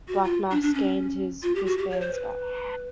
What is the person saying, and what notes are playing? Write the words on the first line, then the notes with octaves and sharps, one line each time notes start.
Black Mass gained his wristbands back.
F#4
F4
D4
D4
C#4
F4
G4
F#4
G4
C#5
C5
B4